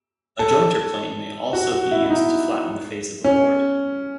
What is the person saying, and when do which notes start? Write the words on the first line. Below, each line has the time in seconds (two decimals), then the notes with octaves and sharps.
A jointer plane may also be used to flatten the face of a board.
0.39 A4
1.53 F#4
1.72 F#4
1.91 E4
2.04 E4
2.10 D#4
3.24 C#4